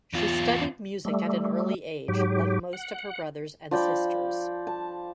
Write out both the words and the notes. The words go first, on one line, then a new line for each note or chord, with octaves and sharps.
She studied music at an early age like most of her brothers and sisters.
E2 F4
G3 A3
G#2 F#3 G4
F#5
F3 D5 G5 B5
A5